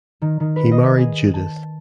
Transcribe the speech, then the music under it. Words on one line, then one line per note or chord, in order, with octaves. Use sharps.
He married Judith.
D#3
D#3
B4
D#5
G#4
A5